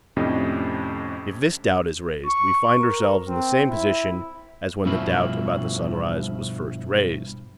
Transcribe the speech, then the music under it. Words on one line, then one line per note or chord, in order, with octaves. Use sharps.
If this doubt is raised, we find ourselves in the same position as when the doubt about the sunrise was first raised.
F2 A2 C3 C#4 D4 D#5
C#6
A#4
C4
E4
G2 B2 F3 E4